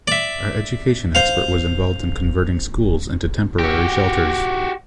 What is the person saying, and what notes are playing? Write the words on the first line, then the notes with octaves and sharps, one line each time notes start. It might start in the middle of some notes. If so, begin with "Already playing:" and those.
Our education expert was involved in converting schools into temporary shelters.
D5 E5
C5 F5
F#4 G4